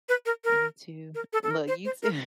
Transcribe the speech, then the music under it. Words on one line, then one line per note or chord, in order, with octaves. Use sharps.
You too? Well, you too.
B4
A#4
A#4
A#4
A4
A4
A#4
C5
C5
A#4